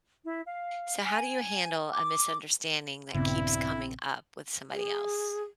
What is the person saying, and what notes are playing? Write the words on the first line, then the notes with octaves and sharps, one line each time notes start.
So how do you handle a misunderstanding that keeps coming up with somebody else?
E4
F5
G#5
D6
A#1 G2 C#3 B3 C4 E4
G#4